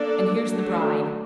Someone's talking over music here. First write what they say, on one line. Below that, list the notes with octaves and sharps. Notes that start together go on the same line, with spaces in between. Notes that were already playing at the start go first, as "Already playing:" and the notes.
And here's the Bride!
Already playing: A#3 D4 A4 D5
F#3 A3 D4